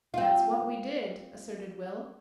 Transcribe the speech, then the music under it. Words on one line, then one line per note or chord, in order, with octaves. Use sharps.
"That's what we did," asserted Will.
C4 F4